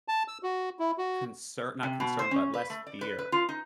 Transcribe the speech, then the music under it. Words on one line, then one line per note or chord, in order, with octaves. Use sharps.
concer not concern, but less fear
A5
E6
F#4
E4
F#4
C3
B2
C5
C#4
B4
A3
D5
B4
B4
F4
D#4